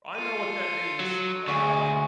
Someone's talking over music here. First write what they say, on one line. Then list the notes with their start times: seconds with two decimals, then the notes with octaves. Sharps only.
I know what that means. Uh,
0.15 F4 A4 D#7
1.00 F#3
1.48 D2 G#3 C#6